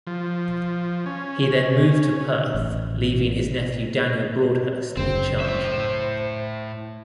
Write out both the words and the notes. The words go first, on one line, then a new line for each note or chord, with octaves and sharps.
He then moved to Perth leaving his nephew Daniel Broadhurst in charge.
F3
C#4
A1
F#1 D2 C#3 C4 C5
A2 E5